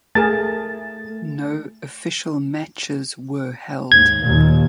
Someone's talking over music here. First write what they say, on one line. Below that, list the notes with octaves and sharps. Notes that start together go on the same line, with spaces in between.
No official matches were held.
A3 G#4 A#4 A5 A6
D#2 G#2 G#6
D#2 A#2